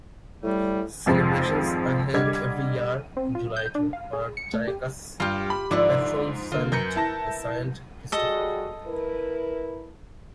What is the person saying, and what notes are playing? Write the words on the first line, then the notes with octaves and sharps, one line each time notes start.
Celebrations are held every year in July to honor Jayaque's patron saint, Saint Christopher.
A2 G3
G#1 F2 F3 G#3
D3 G3 D#5 D6 G#6
C4
F4
G6
D4
F5
G#4
C#7
A3
G4
G2 F4 G4
B5
G#2 D3 F3 E4 D5
D3 A#3 F4
F#2 A#4 B4 G6 C#7
E4 A5 A#6
G3 F#4 G#4 A4 D#5
E4 A#4 B4